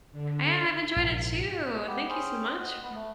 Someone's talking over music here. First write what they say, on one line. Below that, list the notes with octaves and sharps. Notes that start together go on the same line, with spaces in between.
I have enjoyed it, too. Thank you so much for
D3
A#1 G#2 C3
B3 G4
C#4 G#4 C5 G5
D#5 F#5
B3
A3